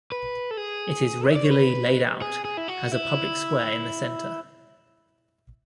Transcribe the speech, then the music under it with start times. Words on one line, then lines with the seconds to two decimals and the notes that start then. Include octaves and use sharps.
It is regularly laid out, has a public square in the center.
0.12 B4
0.51 A4
0.57 G#4
1.30 E5
1.36 D5
1.44 C#5
1.51 B4
2.22 G#4
2.45 G#4
2.57 E4
2.68 F#4
2.92 E4